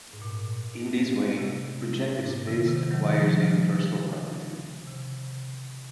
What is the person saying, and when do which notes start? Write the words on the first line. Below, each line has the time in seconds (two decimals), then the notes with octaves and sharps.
In this way, projective space acquires a universal property.
0.13 G#2
0.22 A#2
1.38 C3
1.82 C3
2.18 G#2
2.25 A#2
2.47 C3 D#3
2.68 C3 D#3
2.91 D#3 F#3
3.12 C#3 F3
3.41 C#3 F3
3.99 C#3
4.87 C3